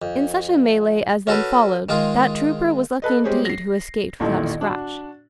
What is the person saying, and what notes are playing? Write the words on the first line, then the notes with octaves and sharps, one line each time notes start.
In such a melee as then followed, that trooper was lucky indeed who escaped without a scratch.
F2
C#4 F#4 A4 B4
D#3 G#3 F4 G#4
A4 B4 D#5
G3 G#3 C4 G4 G#4 C#5
A#6 C7
E1 A1 A#2 D#3 E4 A4
D4 F#4